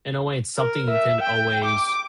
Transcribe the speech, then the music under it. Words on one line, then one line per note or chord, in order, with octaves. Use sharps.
in a way, it's something you can always
A#4
E5
G5
D6